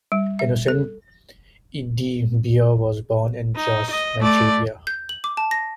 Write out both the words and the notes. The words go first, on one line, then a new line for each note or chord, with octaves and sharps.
Innocent Idibia was born in Jos, Nigeria.
G3
E5
A4
D#4
D#5
A3 D5
G6
F#7
D6
A5
A#6